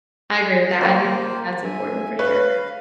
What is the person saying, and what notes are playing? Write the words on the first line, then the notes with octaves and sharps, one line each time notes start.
I agree with that, I do that's important for sure.
C#3 F3 A#3 C5 G5
E5 G#5
B4 C#5 F5